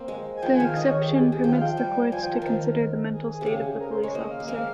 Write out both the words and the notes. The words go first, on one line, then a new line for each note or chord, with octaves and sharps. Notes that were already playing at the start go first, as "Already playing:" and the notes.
The exception permits the courts to consider the mental state of the police officer.
Already playing: A#3 C4
G#3
G#5
F3 G5
G#5
D#3 F5
D#3 D#5
C#5
G4
G#4
G4
D#3 G#4
F3 G5
F5
G5
G3
F3 G#5
G5
A#4
D#3 F3
G#4
G#4
C3
C#3 G4
G#4
G#4
A#4
C5
G#3 C#5
A#3 D#5
F5
A#3
G#3 C4 F5